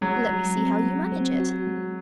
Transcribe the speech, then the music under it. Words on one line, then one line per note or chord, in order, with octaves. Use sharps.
'Let me see how you manage it.'
F#3 G#3
G#3
C4
G#3
C4
F#4
G#3